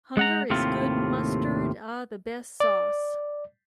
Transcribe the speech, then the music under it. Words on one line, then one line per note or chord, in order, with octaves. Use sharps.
Hunger is good mustard â the best sauce.
G#3 F#5 A#5
D#2 A2 C3 C4 F4
D5